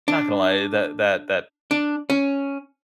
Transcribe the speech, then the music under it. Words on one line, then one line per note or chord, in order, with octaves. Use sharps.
Not gonna lie, that that that
D4
D4
C#4